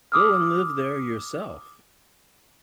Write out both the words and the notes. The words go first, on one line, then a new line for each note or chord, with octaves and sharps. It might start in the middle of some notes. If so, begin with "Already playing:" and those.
Go and live there yourself.
D6 D#6 F6